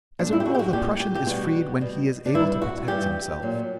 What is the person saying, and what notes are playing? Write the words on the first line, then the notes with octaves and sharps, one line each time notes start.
As a rule, the prushun is freed when he is able to protect himself.
A#2 G3 D4
E4
G4
F#4
G4
F#4
A#2 G3 G4
G4
G4
B2 G3 F#4
B2 G3
D4
G2 E3 G3 E4
F#4
G2 E3 G3 G4
A#2 F#3